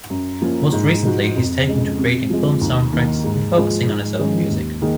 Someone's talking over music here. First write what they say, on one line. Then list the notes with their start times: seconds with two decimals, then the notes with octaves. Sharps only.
Most recently he's taken to creating film soundtracks, and focusing on his own music.
0.10 F#2
0.42 F3 A#3 C#4
0.72 G#2
1.04 F3 G#3 D#4 F#4
1.36 F2
1.67 C#3 G#3
1.98 C3
2.30 F3 G#3
2.61 D#2
2.93 D#3 A#3
3.24 G#2
3.57 F3 G#3
3.88 G#2
4.19 D#3 G#3 C#4
4.50 D#2
4.82 D#3 A#3 G#4